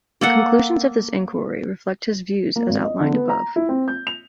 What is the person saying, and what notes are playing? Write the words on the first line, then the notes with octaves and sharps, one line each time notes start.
The conclusions of this inquiry reflect his views as outlined above.
A#3 A4 F#5
A#3
G#1
D#5
D3
B3
A#5
E4
C4
G6
F7